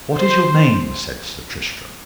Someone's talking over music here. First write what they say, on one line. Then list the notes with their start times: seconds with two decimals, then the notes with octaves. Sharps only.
What is your name? said Sir Tristram.
0.16 C5